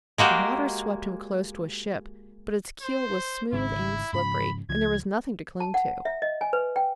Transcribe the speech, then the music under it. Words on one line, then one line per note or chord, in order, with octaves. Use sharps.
The water swept him close to a ship, but its keel was smooth and slippery and there was nothing to cling to.
G#3 A#3 F#4 G4
C5
G#1 G#2 C#3 E4
G#2 C#3 F3 B5
C#2 F3 G#6
A5
F#5
E5
D#5
G#5
B4
G5